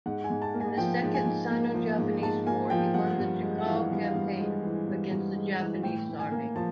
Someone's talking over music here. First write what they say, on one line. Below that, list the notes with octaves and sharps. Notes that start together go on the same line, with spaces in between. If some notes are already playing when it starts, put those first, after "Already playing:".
In the Second Sino-Japanese War, he won the Cheqiao Campaign against the Japanese Army.
G#2 F#5
G#5
G#2
A5
A#3
G#5
F3 G5
G#2
G#5
G#2
A#3
F3
G#2
G#2 A5
A#3 G#5
F3 G5
G2 F#5
G2
G#3
F#5
E3 F5
G2
F5
G2
G#3
E3
G2
G2
G#3
E3
A2 G5
A2
G#5
A#3
F3 A5